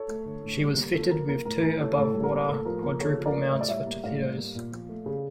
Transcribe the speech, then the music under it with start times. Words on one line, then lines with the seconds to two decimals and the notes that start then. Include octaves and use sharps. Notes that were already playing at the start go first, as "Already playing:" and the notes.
She was fitted with two above-water quadruple mounts for torpedoes.
Already playing: A4 C#5
0.08 A3
0.25 D3
0.43 A2
0.60 G3
0.77 A#3
0.94 D3 A4
1.11 F3 A#4
1.28 A#3 A#4
1.45 A2 A#4
1.62 E3 A#4
1.80 A3 A4 C#5
1.97 A2 A4 C#5
2.14 G3
2.23 A#4
2.32 A#3
2.48 A2 A4
2.65 F3 A#4
2.82 A#3 A#4
3.00 C#3 A4 C#5
3.17 F3
3.26 A#4 D5
3.34 A3
3.52 A2 E5
3.61 D5
3.68 G3 C#5 E5
3.86 A#3
4.03 A2 D5 F5
4.21 G3
4.37 A#3
4.55 A#2
4.72 F3
4.89 A3
5.06 C#3